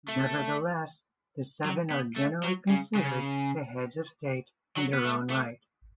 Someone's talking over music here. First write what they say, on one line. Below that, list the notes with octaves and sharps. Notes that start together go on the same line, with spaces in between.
Nevertheless, the seven are generally considered the heads of state in their own right.
A3
F#3
B3
A3
F#3
C#3
C#3
F#3
B3
A3
A3